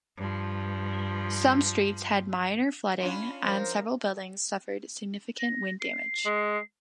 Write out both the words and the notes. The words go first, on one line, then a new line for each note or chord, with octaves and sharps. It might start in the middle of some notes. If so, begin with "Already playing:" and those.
Some streets had minor flooding, and several buildings suffered significant wind damage.
G2 F3
C#4 D4 F4 B5
F3 A#4 C5
A#6
C7
G#3